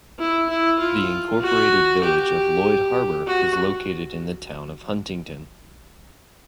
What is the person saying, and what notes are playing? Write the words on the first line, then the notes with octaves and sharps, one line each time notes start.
The Incorporated Village of Lloyd Harbor is located in the town of Huntington.
E4
E4
F4
F#4
G4
F#4